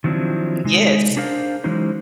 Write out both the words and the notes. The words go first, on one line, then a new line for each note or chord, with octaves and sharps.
Mm, yes,
D#3 F3 F#3 C4 D4 E4
C3 G#3 D#4
D4 G#4 A#4 C5 F5
E3 F#3 G#3 C#4 D#4 C5